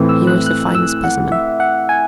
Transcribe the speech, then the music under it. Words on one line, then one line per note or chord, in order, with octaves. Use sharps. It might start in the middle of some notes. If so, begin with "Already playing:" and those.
He was a fine specimen.
Already playing: A2 E3 C4
E6
F#6
F#6
E6
F#5
E5
F#5
G#5